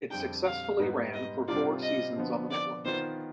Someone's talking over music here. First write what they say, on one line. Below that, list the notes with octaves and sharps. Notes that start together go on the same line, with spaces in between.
It successfully ran for four seasons on the network.
F2 D3 G3 D4 G5
F5
G#2 G3 B3 D#4 B4
D#5
C3 G3 D4 F4 D5
D#5
D3 F3 B3
D5
D#3 B3 F4 C5